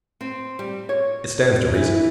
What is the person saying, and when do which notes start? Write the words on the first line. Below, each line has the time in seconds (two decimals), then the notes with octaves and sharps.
It stands to reason.
0.21 C4
0.59 G3
0.89 C#5
1.74 E3